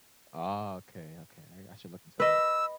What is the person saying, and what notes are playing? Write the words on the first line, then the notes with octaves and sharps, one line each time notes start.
Ah, okay, okay, I r I should look into that.
B4 D#5 E6